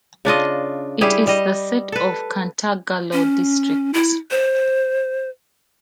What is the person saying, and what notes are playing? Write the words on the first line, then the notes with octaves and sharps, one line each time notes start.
It is the seat of Cantagalo District.
C#3 D4 F4 D#5
G3 E4 G4 G#4
G3 D#5
A4 B4
C#4
E4
C5